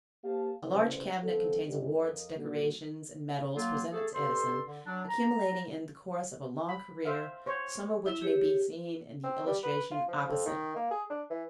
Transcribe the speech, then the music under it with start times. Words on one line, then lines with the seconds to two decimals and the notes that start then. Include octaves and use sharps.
A large cabinet contains awards, decorations, and medals presented to Edison, accumulating in the course of a long career, some of which may be seen in the illustration opposite.
0.24 A#3 G4 C5 F5 A5
0.63 C2 A2 C#3 G#4 B4 C5
1.23 G1 F2 C4 A4
1.65 G1
1.97 F2 A#4 D#5
2.36 A#2 D3 D#3 G3 A#3 F#4
3.56 F#3 A#3 F4
3.92 A3 G#4 A4
4.14 G2 A4 C5 C6
4.65 D3
4.85 F#3 D4
5.09 A#5
6.69 B5
7.05 C5 E5 F5
7.46 C5 C#5
8.06 E4 E5
8.21 G4 G#4 C#5
9.24 C4
9.47 G3
9.63 B4
9.91 F4
10.08 F3
10.29 F2
10.45 D#3
10.76 A#3
10.91 G#4
11.10 D4
11.30 E3